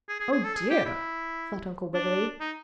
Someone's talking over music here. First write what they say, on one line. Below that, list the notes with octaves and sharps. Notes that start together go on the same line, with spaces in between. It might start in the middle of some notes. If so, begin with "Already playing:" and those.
"Oh, dear!" thought Uncle Wiggily.
G#4
G#4
G#4
A4
G#4
G4
E4
D4
D#4